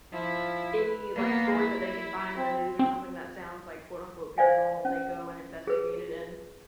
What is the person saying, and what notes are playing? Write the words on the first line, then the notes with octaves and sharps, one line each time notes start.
any, like, story that they can find in the news or something that sounds like quote, unquote "paranormal," they go and investigate it and
F3 E4
B4
A#3 B3
E4
C4
C4
C5 D5 F5 G#5
C#4
G#4 B4